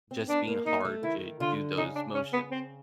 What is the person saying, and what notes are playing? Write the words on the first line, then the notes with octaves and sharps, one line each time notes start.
just being hard to do those motions,
C4
B3 D4
A#3
A#3 D#4
A3
D#3 E4
D3 F4
C#3 D#4
D4
C#4
B3
C4